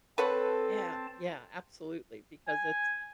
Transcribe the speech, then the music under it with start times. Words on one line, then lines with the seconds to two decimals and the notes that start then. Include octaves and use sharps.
Yeah yeah, absolutely, because it's
0.18 C4 A4 B4 C#5 F#5 A5
2.48 G#5